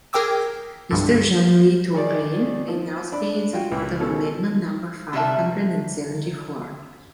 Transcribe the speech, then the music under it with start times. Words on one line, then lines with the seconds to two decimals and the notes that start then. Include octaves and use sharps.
Mr. Jean-Louis Touraine may now speak in support of Amendment number five hundred and seventy-four.
0.13 G#4 A#4 G5 D6 E6
0.91 C2 G2 D3
1.94 D#3 G#4 C#5 D5
2.68 F3
3.12 D4 B5
3.53 F4 F#4 G5
3.72 C#2
4.00 B2 G#3 C#4 A4
5.13 C3 G3 F#4 E5 A5